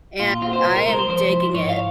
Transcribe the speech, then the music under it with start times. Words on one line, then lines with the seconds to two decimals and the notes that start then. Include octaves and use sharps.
and I am digging it;
0.20 A#2 F4
0.42 C4 F4
0.53 C5
0.64 C2
0.76 A#4
0.87 G#3 C5
0.99 C5
1.09 F3 C5
1.32 E4
1.54 G#2 C#5
1.69 F5